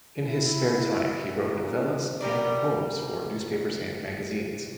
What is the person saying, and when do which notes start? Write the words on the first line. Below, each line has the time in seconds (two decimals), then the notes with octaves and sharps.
In his spare time he wrote novellas and poems for newspapers and magazines.
0.24 E4
1.29 A#2
2.21 G3 A#4 D5